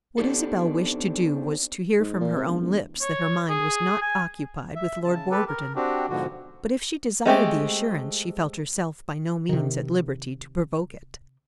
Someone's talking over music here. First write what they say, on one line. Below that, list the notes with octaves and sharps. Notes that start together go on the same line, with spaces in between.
What Isabel wished to do was to hear from her own lips that her mind was not occupied with Lord Warburton; but if she desired the assurance she felt herself by no means at liberty to provoke it.
B3 C4 D4 D#4 G4 A4
G#2
A#2
C3
E1
E1
C#5
G#4
G#5
E5
C#3 A5
G4 A4 B4
A#4
C4 D4 F#4 G4
G#2 B2 D3 F3 F#4
G#3 A3 C4 G4
C3 D#3